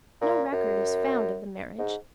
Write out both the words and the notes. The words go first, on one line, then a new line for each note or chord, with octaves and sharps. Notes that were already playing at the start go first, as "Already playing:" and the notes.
No record is found of the marriage.
A#2
F#2
G#2